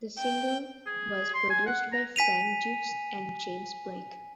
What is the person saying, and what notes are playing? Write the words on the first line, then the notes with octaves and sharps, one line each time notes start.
The single was produced by Frank Dukes and James Blake.
G5
G#4
C6
G#5
F#5
A#5
G#5 B6 D#7 F7